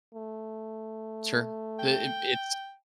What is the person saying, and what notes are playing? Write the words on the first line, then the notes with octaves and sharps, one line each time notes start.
Sure, it it it's,
A3
G5